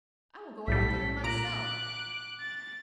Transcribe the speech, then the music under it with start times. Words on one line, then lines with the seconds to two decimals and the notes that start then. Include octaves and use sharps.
'I will go after them myself.
0.67 B1 A2 G3 A4 B6
1.24 A#2 A#5 D6 F#6 D7
2.40 A6